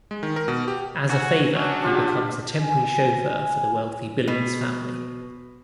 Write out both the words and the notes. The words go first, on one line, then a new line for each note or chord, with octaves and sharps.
As a favor, he becomes a temporary chauffeur for the wealthy Billings family.
G#3
D#3
A#4
B2
G4
F#4 G#5 A#5 E6
F#3 C#4 D4
D4 F4 G4
G#5
B2